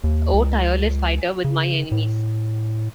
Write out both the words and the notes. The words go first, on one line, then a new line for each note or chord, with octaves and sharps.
O tireless fighter with my enemies!
D#2
C#2
C#3
A2